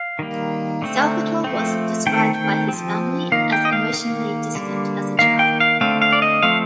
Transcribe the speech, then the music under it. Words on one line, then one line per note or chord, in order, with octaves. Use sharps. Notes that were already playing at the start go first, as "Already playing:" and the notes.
Salvatore was described by his family as emotionally distant as a child.
Already playing: F5
D#3 G3 A#3
D3 A3 C4
F3 A3 C4
D#3 A3 C4 G5
G5
F3 C4
D#3 A#3 F5
G5
D#5
F5
D#3 A#3
D3 G3 A#3
D#3 A#3 F5
G5
F5
D3 A3 C4 F5
F5
D5
D#5
F3 A3 C4 F5